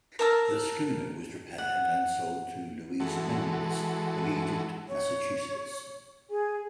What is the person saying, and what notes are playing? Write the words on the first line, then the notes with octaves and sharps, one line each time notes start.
The schooner was repaired and sold to Louisa Mendes of Egypt, Massachusetts.
A#4 A5 E6
F#5
E3 G#3 F#4 A4
C#5
G#4 G#5